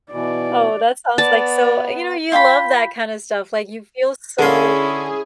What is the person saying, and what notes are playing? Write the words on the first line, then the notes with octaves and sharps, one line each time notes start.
Oh, that sounds like so You know, you love that kind of stuff, like, you feel so,
B2 E3 D5
B3 D5 A5
F4 G5 G#5 B5
D3 C#4 E4 G#4 C6